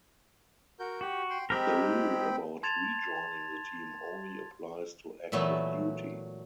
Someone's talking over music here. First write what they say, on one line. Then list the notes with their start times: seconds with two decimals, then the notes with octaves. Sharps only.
The rule about rejoining the team only applies to active duty.
0.80 F#4 A#4 G6
1.01 F#4 G4
1.30 G5 C6
1.50 G#3 C4 G4 A#4 G5 B5
2.63 A5 C6 G#6 A6 E7 F7
5.32 A#2 E3 F#3 A3 B3